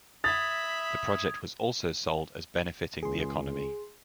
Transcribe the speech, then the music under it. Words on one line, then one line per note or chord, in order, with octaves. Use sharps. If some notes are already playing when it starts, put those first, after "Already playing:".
The project was also sold as benefiting the economy.
E5 B5 D#6 G#6 A6
C#2 G#4 C6